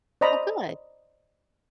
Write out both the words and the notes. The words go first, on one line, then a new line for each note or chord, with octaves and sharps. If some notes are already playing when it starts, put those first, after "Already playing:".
Oh, good.
C5 D5 D#5 A#5 B5